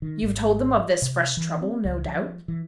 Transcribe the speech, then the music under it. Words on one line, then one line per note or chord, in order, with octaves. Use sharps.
"You've told them of this fresh trouble, no doubt."
D#3
G#1
C3
E3
C4
C#2
F3
E3